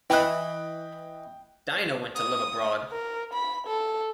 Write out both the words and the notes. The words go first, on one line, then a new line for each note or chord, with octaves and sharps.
Dina went to live abroad.
E3 B4 D#5 G5 B5 F#6
D#6
A#4
B5
A4